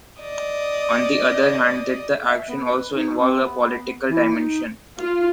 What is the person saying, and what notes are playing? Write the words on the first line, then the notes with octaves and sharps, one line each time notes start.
On the other hand, did the action also involve a political dimension?
D5 D#5
E5
B3
B4
D#4
C4
B3
E3
D#4
F4